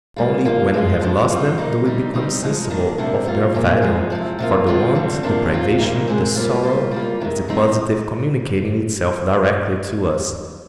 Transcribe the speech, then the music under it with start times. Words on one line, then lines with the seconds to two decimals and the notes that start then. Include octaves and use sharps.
Only when we have lost them do we become sensible of their value; for the want, the privation, the sorrow, is the positive, communicating itself directly to us.
0.16 G3 A#3 F4
0.45 F3 A#3 F4
0.73 F3 G#3 C4 F4
1.01 F3 G#3 D4
1.30 G3 C4 F4
1.58 G3 A#3 D#4
1.85 G3 C4 D#4
2.14 G3 C4 D#4
2.43 F3 G#3 D#4
2.70 D#3 A#3 D4
2.98 C3 G3 A#3 D4
3.26 G3 A#3 F4
3.54 A#2 F3 A#3
3.82 F3 G#3 C4 D#4
4.10 C3 F3 C4
4.39 C3 F3 A#3 F4
4.67 D3 F3 G#3 C4 F4
4.95 D3 G3 C4
5.23 C3 F3 A#3 D4 F4
5.51 F3 C4 F4
5.80 A#2 G3 A#3 D#4
6.08 A#2 G#3 C4
6.35 G3 A#3 F4
6.63 G3 A#3 F4
6.91 G3 A#3 F4
7.20 C3 D#3 G#3
7.48 D#3 G3 C4 D#4